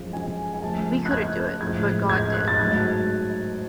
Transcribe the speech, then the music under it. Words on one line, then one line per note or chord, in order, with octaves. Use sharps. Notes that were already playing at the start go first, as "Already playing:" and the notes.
We couldn't do it, but God did.
Already playing: F#2 F3 G#3
G#5
G#5
C#2 C#3 F3 A3 A5
F#6
G#6
A2 F3 G#3 G#6
G#6
F#6
A6
G#2 F#3 A3 G#6